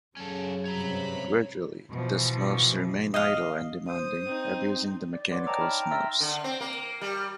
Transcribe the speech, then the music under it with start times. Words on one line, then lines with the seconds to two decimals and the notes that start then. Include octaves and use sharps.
Gradually, the Smurfs remain idle and demanding, abusing the mechanical Smurfs.
0.17 F#2 C#3 F#3 C#4 A4
0.66 G2 C3 C#5 A#5 B5
1.89 B2 E3 F3
3.14 D#5 F5
3.88 C5 D#6
4.26 C4 D#4
5.13 D5
5.31 B4 C#5 D5 F#5 C6 D6
5.46 D#5 G5 A5 A#5 D6 E6
5.59 D#4 B5 F6
5.79 G5 A#5
5.91 E5 C6 E6 F6 A6 A#6
6.20 D3
6.44 C4
6.60 A#3
7.01 G3